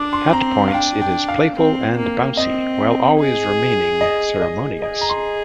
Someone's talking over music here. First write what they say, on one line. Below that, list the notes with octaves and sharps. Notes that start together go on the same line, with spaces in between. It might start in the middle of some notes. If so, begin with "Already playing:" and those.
At points it is playful and bouncy, while always remaining ceremonious.
Already playing: D4 D6
C6
C4 A#5
F5
D4 G5
G5
F5
C4
A#3
C4 D#5
G#4
D#5
D#5
G#4 D#5
A#5
C6